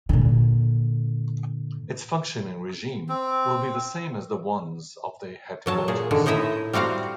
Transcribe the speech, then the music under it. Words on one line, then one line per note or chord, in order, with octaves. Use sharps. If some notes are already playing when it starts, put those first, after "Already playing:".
Its functioning regime will be the same as the ones of the headquarters.
A#2 D3
C4
A#2 F#3 A5
A#2 G#4
A#2 D3 D#3
A2 D#4 E4 D#5 E5
G3 C4 F#4 F5 A#5